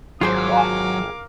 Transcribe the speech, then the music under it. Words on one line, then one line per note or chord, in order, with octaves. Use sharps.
watching me.
G#1 F#3 F4 G#4 A#4 C5 F5 D6